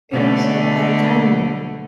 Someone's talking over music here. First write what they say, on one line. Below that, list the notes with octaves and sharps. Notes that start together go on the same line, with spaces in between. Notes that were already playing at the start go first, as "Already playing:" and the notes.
It also had a tannery.
B2 D3 A3